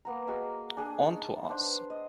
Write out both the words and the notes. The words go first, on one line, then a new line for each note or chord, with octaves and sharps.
On to us.
A#3 B3 A#5
F#4 G#4 A#4 D#5
D4 G#4 G5 G#5
D#4 A5 C#6
B3 D4 C5
D#5